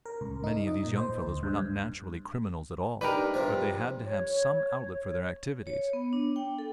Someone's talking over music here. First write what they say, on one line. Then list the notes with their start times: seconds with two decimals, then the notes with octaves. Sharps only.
Many of these young fellows were not naturally criminals at all, but they had to have some outlet for their activities.
0.06 A#4
0.21 C#2
0.44 D#4
0.67 D#5
0.84 A#2
0.97 C5
1.24 D2
1.43 G2
3.01 D4 D#4 G4 A#4 B4
3.34 G2 C3 F3
4.05 C#5
5.67 C#5
5.93 B3
6.13 D4
6.36 G5
6.59 A4